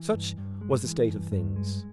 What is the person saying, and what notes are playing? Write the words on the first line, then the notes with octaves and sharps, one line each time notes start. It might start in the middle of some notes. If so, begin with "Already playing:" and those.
Such was the state of things.
Already playing: E3
G2
G2
G#3
E3
G2
G2
G#3